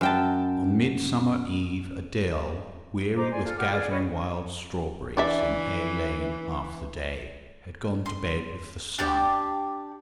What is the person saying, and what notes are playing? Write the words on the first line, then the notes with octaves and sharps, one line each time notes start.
On Midsummer-eve, Adele, weary with gathering wild strawberries in Hay Lane half the day, had gone to bed with the sun.
F#2 G5 A5
C5 D#5 A#5 D6
D5 G#5 C6
F4 A4
G4 F#5 D6 F6
F4 G#4 D5
F#4 B4 C#5 D#5
E3 D4 D5 E5
C6
D4 G4 D5 A5